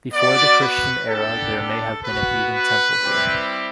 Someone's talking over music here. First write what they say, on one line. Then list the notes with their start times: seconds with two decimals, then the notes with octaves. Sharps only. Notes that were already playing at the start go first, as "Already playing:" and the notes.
Before the Christian era there may have been a heathen temple here.
0.13 B3 F#4 D5
0.61 B4
1.09 B3 D4 G4 A4
1.57 A4
2.04 B3 F#4 B4
2.53 B4
3.01 G3 C4 E4 G4